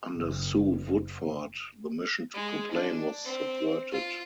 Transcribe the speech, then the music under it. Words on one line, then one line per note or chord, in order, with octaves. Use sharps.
Under Sue Woodford the mission to complain was subverted.
F#1
G#3
D4
C4
F4